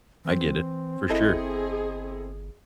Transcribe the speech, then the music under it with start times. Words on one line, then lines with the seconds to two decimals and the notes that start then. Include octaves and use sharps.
I get it, for sure.
0.25 E3 C4
1.09 G1 E4 G#4 A4 D#5